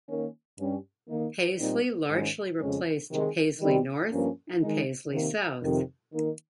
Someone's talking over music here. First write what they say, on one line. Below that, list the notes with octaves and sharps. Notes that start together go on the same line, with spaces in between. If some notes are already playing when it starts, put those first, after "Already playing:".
Paisley largely replaced Paisley North and Paisley South.
D#3 A#3 C#4
G2 G3 C#4
D#3 A#3 D#4
A#2 G3 C4 D#4
G#2 D#3 G#3 C#4
F2 C#3 G#3 C#4
C3 D#3 G#3
D#3 G3 C4
G2 F3 A#3 C#4
D#3 G#3 D#4
C3 D#3 A#3
F2 C3 D#3
D#3 A#3 D#4